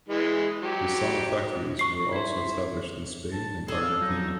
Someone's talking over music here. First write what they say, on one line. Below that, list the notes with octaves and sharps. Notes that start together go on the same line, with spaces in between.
Meccano factories were also established in Spain and Argentina.
E3 G#3
F#3 G4
C#6 C7
E4 C5
A5
G#4 A4
F5
F#3 D#4